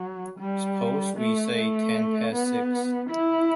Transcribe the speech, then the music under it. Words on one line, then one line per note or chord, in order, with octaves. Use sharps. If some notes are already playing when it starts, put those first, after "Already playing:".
Suppose we say ten past six!
Already playing: F#3
G3
A3
A3
B3
E4